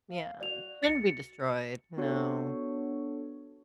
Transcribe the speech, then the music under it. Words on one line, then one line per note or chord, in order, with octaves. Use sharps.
Yeah, it shouldn't be destroyed, no.
F5
F#4 D5 F7
A6 C#7
B3 D4 F#4 A4 C#5 C#6